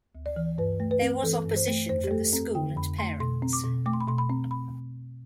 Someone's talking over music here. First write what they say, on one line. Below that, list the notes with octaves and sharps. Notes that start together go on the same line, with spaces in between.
There was opposition from the school and parents.
D2
D5
E3
G2 B4
A3
B4
C4
E3 A4
G2
C5
A3
F2 C5
G4
A3 A4
C4 A4
D3 G5
F2 B5
A3 C6
B2 C6
C4
D6
B2
A3 D6
C6
B5
B2 C6
B5
C4
B5